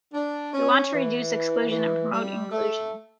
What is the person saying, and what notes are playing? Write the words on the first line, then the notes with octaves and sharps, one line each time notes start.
We want to reduce exclusion and promote inclusion.
D4
C#4
E3
E3
G3
A3